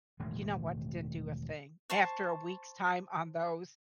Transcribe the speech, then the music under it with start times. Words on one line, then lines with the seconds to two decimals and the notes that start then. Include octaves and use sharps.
You know what, it didn't do a thing. After a week's time on those,
0.20 E1 A2 D#3 G#3
1.90 C5 A5 C#6